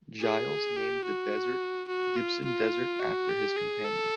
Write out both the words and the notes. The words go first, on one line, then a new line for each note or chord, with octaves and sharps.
Giles named the desert Gibson Desert after his companion.
G#4
G4
F#4
F#4
F4
F4
F#4
G4
G#4
A4